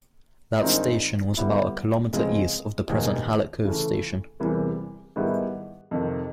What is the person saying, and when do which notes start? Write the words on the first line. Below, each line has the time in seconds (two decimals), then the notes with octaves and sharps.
That station was about a kilometre east of the present Hallett Cove station.
0.62 G2 D#3 G#3 C4 D#4
1.37 D3 G3 B3 E4
2.13 C#2 C#3 F3 G#3 C4
2.88 E1 D#2 D#3 G#3
3.65 C#3 E3 A3
4.40 E2 C3 E3 G3 A#3
5.16 G#2 D#3 G3 B3 E4
5.91 F2 C3 D#3